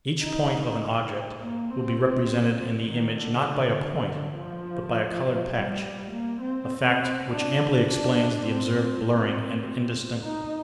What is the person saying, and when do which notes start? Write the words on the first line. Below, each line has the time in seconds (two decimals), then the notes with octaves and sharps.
Each point of an object will be represented in the image not by a point but by a coloured patch: a fact which amply explains the observed blurring and indistinctness.
0.23 D#4
1.40 A#3
1.70 C4
2.88 D#3
3.17 D3
3.76 D3
4.35 F3
5.53 G3
6.12 A#3
6.41 C4
7.30 D4
7.88 D4
8.47 C4
8.77 C4
10.24 D#4